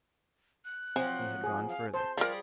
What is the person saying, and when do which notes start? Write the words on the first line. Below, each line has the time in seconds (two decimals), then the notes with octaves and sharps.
He had gone further.
0.65 F#6
0.96 F3 F#3 C4 G#5
1.44 G#4
1.69 F5
1.94 C5 A5
2.17 F3 G3 F4 G#4 A#4 D5